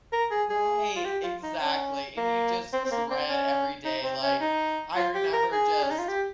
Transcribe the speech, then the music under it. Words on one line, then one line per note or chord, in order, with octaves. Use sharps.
Right, exactly, and you just dread every day, like, I remember just,
A#4
G#4
G#4
F4
G4
F4
D#4
C#4
A#3
C4
C4
A#3
C4
C#4
D#4
C4
C#4
D#4
F4
G4
A#4
G#4
C#4
D#4
F4
G4